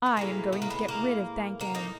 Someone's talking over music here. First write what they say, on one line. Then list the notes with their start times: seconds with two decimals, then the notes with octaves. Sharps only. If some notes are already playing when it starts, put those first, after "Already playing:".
'I am going to get rid of Thakane.'
0.06 B3
0.16 A2 E3 G#3 A#3
0.53 B3
0.62 A#3
0.70 B3
0.88 A#3
1.61 A#3
1.75 D#4